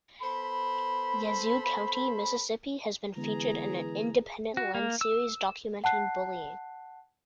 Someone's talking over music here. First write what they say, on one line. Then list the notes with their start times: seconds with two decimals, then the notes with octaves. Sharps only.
Yazoo County, Mississippi has been featured in an Independent Lens series documenting bullying.
0.22 B3 A4 C5 B5
3.17 D3 E3 G#3 B3 G#4 A#5
4.57 F#4
4.75 A#3
5.01 E6
5.84 F#5 A5 F#6 C7